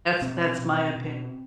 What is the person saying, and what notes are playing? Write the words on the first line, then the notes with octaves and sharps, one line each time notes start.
that's that's my opin
B2 C4
B2
B2